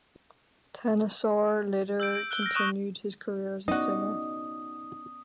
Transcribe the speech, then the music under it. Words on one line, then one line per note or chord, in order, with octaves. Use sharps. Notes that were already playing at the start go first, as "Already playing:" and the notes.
Tennosaar later continued his career as a singer.
E6 G6 D7
D7
F#6 G7
F6 A#6
C#6 D#6 F#6 E7
B3 C#4 D#4 F#4 D5 D#5 D#6